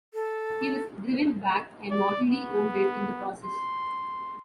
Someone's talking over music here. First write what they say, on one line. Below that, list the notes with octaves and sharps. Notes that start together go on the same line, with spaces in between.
He was driven back, and mortally wounded in the process.
A4
D5
B3
C6